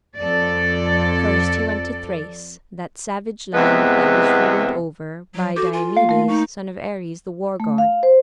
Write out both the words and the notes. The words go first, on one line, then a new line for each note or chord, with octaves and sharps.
First he went to Thrace, that savage land that was ruled over by Diomedes, son of Ares, the war god.
F2 A4 D5
E2 C3 G#3 B3
F#3
F#4 A4 D6 G6
F4 G#5
A#3 F5
A3 A#4
D#4 C#6
A3
F5
C5